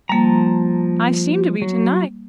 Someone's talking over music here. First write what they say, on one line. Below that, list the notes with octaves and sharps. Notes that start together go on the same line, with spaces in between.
'I seem to be to-night.
F3 G3 A#3 A5 A#5
F#3